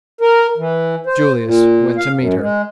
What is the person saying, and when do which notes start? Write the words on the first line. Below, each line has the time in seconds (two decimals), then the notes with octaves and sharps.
Julius went to meet her.
0.21 A#4
0.58 E3
1.07 C5
1.44 A#2
1.97 F5
2.17 F#2
2.41 G#3